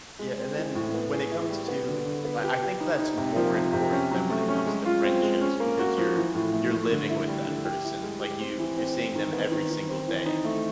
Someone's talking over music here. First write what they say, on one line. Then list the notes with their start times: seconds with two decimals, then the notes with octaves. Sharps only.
Yeah, and then when it comes to I I think that's more important than when it comes to friendships because you're you're living with that person. Like, you you're seeing them every single day.
0.19 G#3
0.38 C4
0.57 E3
0.75 A2
0.94 B3
1.13 G#4
1.31 E4
1.50 G3
1.68 B3
1.88 D3
2.05 D3
2.25 B3
2.44 G4
2.62 G4
2.80 D#4
2.99 D#4
3.18 C3
3.36 F3
3.55 C3
3.73 C3
3.92 C#4
4.11 F#3
4.30 A3
4.49 C#4
4.67 G#3
4.85 F4
5.04 C4
5.22 G#3
5.41 C#4
5.60 A#3
5.79 F#4
5.98 F3
6.16 E3
6.34 A2
6.53 A3
6.72 A3
6.91 D3
7.09 E4
7.28 G3
7.46 D3
7.65 G4
7.84 E4
8.03 G#3
8.21 G4
8.40 C4
8.58 E3
8.77 C4
8.96 E3
9.15 D#3
9.33 B3
9.51 D#3
9.70 D#3
9.89 C4
10.07 E3
10.26 D#4
10.45 A3